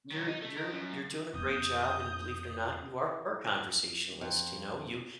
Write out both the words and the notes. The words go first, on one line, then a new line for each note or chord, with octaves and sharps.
you're you're you're doing a great job, and believe it or not, you are a conversationalist, you know? You
D#3 F#3
D#4
A3
A#4 D#5
F#2
F2 B3 D#6 G6
F2